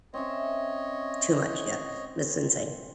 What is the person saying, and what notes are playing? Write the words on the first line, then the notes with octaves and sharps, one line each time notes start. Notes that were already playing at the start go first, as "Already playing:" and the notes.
Too much, yeah, that's insane.
C4 C#4 C#5 D#5 E5